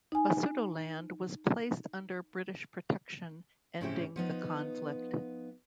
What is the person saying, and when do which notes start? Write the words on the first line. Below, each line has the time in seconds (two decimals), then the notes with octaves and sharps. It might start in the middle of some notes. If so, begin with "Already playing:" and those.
Basutoland was placed under British protection, ending the conflict.
0.12 D#4 G#5
3.81 A2 C#3 C4 C#4 E4 G4
4.16 F3 B3 D#4